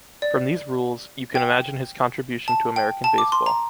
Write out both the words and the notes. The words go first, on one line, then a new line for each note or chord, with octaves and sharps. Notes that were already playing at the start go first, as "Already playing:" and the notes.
From these rules, you can imagine his contribution to American baseball.
D5
G5
A5
G5
A5
D6
C6
A#5